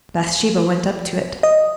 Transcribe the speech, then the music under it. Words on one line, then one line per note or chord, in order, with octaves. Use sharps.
Bathsheba went up to it.
D#5